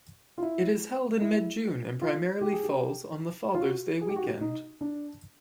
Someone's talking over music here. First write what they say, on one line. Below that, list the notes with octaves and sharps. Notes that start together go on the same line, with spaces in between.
It is held in mid-June and primarily falls on the Father's Day weekend.
F4
E4
E4
F4
G4
G#4
G4
F4
F#4
G#4
G4
F#4
G4
D#4
D4